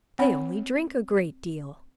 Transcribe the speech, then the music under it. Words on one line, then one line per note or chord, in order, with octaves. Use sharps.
They only drink a great deal.
C4 C#5 F#5 B5